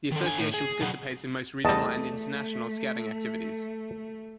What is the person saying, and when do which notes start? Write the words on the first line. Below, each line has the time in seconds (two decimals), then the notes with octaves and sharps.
The Association participates in most regional and international Scouting activities.
0.12 D#3 A4
0.23 D3 G#5
0.38 A2
0.54 G#4
0.81 B2 F#3 F#4 G#4
1.65 E2 G3 A3 D#5 A5